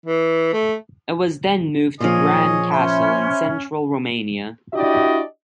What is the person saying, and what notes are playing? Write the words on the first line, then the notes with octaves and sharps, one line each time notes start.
It was then moved to Bran Castle, in central Romania.
E3
A3
A#2 F3 G#4 C#5 D#5
C#4 C5 E5 B5
D4 E4 F#4 G4 D5 D#5